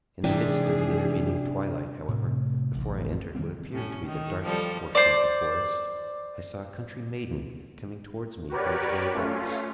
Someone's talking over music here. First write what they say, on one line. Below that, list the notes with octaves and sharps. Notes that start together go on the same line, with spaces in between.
In the midst of the intervening twilight, however, before I entered what appeared to be the darkest portion of the forest, I saw a country maiden coming towards me from its very depths.
G#2 C3 E3 D4 G#4 G5
A2 C3
A1 D2
D#3 G3 A#3 C4
A2 C#4
D#3
F3 G3 A4
C5 D5
F#4 G4 A#4 B4 C#5 D5
A3 C#4 F4